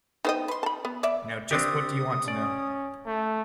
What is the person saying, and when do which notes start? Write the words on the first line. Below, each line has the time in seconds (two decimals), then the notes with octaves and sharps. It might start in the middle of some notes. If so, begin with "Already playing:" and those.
Now just what do you want to know.
0.25 B3 D#4 C5 D#5 G5
0.48 B4 C6
0.63 A5 B5
0.85 B3
1.03 D5 E5
1.51 C4 D4 G4 D#6
2.28 C#4 D5
3.07 A3